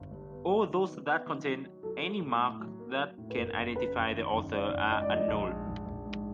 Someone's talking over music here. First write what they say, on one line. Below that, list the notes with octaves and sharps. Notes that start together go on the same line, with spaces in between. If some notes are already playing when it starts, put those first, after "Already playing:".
All those that contain any mark that can identify the author are annulled.
Already playing: G1
G2
B3
F#3
D#3
B3
B3
D#3
F#3
F#3
F#3 A4
F#3
A2
A2
F#3
A#3
F#3
A2
B4
F#1 A#4
F#1
F#2 B4
F#1
D#3
F#1
D#3 D5
F#1
G#2 D#5
D5
F3 D#5
A#1
G#2
A#1
A#1
G#2